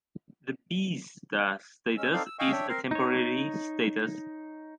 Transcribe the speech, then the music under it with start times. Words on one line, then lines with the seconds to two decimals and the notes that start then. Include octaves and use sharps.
The Be star status is a temporary status.
1.97 G#3 C#4 E6
2.13 C4 D#4 A4 D5 F5
2.26 E6
2.39 D#5 F5 G5 G#5 C#6 E6
2.52 D4 C#5 E5 G5
2.69 C4 A#4 C6
2.91 D#4 C#5